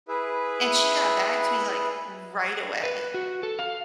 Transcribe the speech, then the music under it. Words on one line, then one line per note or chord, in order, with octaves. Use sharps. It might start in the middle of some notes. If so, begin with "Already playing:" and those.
and she got back to me, like, right away
E4 G#4 B4 E5
B4
F#4
A4
F5